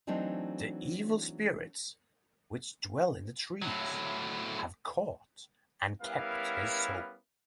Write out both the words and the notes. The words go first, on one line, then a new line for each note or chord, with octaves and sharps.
The evil spirits which dwell in the trees have caught and kept his soul.
E3 F#3 A3 C4 D4 D#4
A2 F#3
G3 B3 C#4 E4 A#4 F5